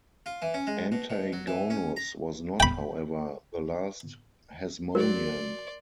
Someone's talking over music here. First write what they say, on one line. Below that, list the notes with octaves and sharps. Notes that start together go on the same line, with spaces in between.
Antigonus was not, however, the last Hasmonean.
F4
E3
C#4
G#3
B2
B2
F#3
E3
C#4
A#5
G5 B5
F#3 A#4 D5 C6